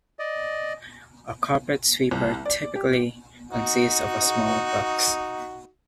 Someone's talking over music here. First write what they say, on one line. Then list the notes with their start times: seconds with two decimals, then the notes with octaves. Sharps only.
A carpet sweeper typically consists of a small box.
0.19 D5 D#5
2.11 C2
2.46 D5
2.76 G4
3.51 D#4 F#4